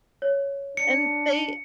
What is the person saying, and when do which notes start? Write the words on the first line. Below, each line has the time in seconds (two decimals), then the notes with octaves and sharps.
and they
0.22 C#5
0.77 D4 C#7